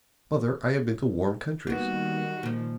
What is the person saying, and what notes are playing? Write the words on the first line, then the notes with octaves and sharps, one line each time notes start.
"Mother, I have been to warm countries."
D#3 G3 A#3 B3 F#4
A#2 F3